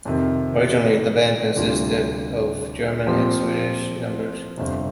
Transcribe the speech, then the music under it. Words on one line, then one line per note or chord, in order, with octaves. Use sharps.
Originally the band consisted of German and Swedish members.
F2 C3 D#3
D2 C3 G3 D4 F4
A#2 F3 C4 G4
G1 F2 C3